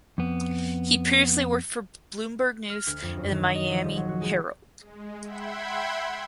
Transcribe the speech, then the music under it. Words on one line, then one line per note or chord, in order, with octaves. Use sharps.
He previously worked for Bloomberg News and "The Miami Herald".
F2 B3
F6
D2
F2
F#2
D#3
D#5
D#5
F3
D#1
F#3
F#4
G#3
G#3
E5 F#5 G5 B5 C6 G#6